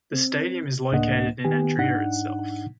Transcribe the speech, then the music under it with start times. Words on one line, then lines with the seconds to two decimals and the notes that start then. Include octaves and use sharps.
The stadium is located in Andria itself.
0.13 C4
0.92 C#2 A2 A#3 D4 D#5 F#5
1.44 D#3 B3 G4 G#5
1.78 G#2 D4 D#4 F#5